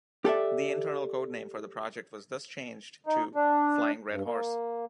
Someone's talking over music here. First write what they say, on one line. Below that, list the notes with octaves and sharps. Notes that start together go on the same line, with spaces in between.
The internal codename for the project was thus changed to "Flying Red Horse".
G4 A4 D5 E5
D#4
D4
G2
A#3